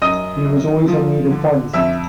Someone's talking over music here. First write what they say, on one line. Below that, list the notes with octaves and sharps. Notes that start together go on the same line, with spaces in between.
He was always in need of funds.
F#2 D#5 D#6
F#2
F3
D3
F2 E5 E6